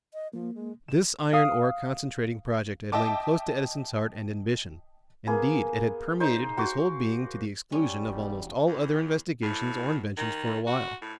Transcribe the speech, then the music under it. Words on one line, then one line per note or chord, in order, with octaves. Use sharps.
This iron-ore concentrating project had lain close to Edison's heart and ambition--indeed, it had permeated his whole being to the exclusion of almost all other investigations or inventions for a while.
D#5
F3 A#3
G#3
E7
F5 D#6
D#5 E5 G5 A5 D6
A#3 B3 G#4
D#4 C5
F#4 C6 D6
G3 C#4
E1
E2
A2
D#3
F#4
A2